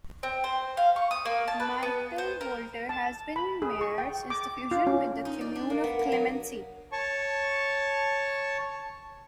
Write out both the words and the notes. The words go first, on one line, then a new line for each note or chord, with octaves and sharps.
Michel Wolter has been mayor since the fusion with the commune of Clemency.
C4
C5
F5
C#6
D#6
A#3
A5
B4
B3
C5
A#4
A5
B5
G#4
C#6
G5
D6
F4
C#4
D#4
D5
D4
A#3
B3
A#3
F#3
C#5 A5 C#6